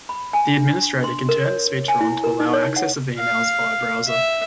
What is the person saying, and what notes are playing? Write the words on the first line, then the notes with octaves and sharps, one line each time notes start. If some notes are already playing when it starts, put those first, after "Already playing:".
The administrator can turn this feature on to allow access of emails via browser.
B5
G#5
D4
C6
A#4
C#5
G#5
E4
A#4
D#4
C#5
F#5
F5
E5